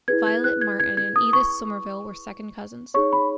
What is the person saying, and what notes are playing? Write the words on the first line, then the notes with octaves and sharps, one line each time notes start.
Violet Martin and Edith Somerville were second cousins.
E4 G#4 B4 G#6
G#6
F#6
G#6
G#6
G#6
D#6
C#6
D#4 G#4 C#5 C#6
B5